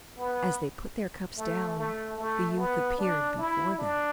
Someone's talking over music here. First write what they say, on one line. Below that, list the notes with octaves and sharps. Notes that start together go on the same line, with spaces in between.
As they put their cups down, the youth appeared before them.
B3
A3
A3
A3
B3
D4
E4
D4